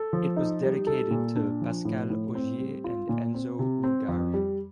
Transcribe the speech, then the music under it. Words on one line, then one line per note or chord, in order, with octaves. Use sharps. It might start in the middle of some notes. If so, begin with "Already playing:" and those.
It was dedicated to Pascale Ogier and Enzo Ungari.
Already playing: A4
F3
D#4
G3
A4
A#2
D4
F3
A2
A2
C4
G3
F4
A#2
C4
C3
C4
F2
G3